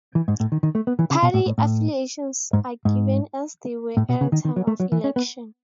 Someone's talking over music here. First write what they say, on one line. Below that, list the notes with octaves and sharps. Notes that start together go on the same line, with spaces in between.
Party affiliations are given as they were at the time of election.
E3
G#2
A2
D#3
D#3
A3
B3
E3
C#3
B2
A2
A2
A2
G#2
G#2
A2
B2
C#3
D#3
D#3
F#3
A3
F#3
E3
C#4
B3